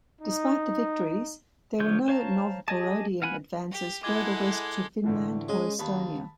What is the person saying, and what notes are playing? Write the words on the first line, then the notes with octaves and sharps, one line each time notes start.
Despite the victories, there were no Novgorodian advances further west to Finland or Estonia.
D#4
D3 F3 C#5 G6
C5 C#5 F5 A5 A#5
G4 G#4 D#5 G#5 A5
F5 F#5 G#5 B5 F#6
G4
G#3 E4 A4 F#5 D6 G#6 G7
A2 D3 E3
G#3 C#4 D#5
D#2 A5 B5